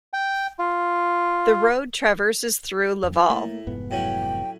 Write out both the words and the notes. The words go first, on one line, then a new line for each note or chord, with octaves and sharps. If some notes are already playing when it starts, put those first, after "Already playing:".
The road traverses through Laval.
G5
F4
F2
F3
A2 A3 A#3
F1 G#2 B3
A2 F#3 C#4 G5